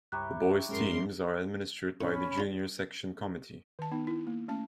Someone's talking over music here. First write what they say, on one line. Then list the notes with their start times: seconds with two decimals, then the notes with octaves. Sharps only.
The Boys teams are administered by the Junior section Committee.
0.12 C#2 G2 E4 G4 C#5 A#5 F#6
0.69 F#2 G#3 C#4 G#4 A#4 C6
2.01 A2 C#4 B5
2.38 D4 F4
3.79 D#3 A5
3.92 B3 D#4
4.07 E4
4.27 A#3
4.48 A3 C#4 A5